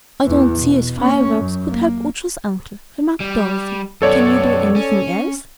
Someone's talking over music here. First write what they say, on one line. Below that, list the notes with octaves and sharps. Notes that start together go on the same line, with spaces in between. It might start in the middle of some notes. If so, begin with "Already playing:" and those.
"I don't see as fireworks could help Ojo's uncle," remarked Dorothy. "Can you do anything else?"
E2 E3
B2
A#3 C#4
F#2
A#3
G3
F#2 B3 A4 C#5 D5
C#4